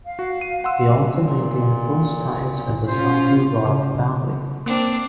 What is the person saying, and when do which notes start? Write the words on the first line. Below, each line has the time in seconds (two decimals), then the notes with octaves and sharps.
He also maintained close ties with the Saudi royal family.
0.05 F5
0.19 F#4
0.41 D#7
0.64 F#5 C6 E6
1.24 A#2
2.88 C#4 F4 C5
3.65 C#3
4.66 A#3 C4 D4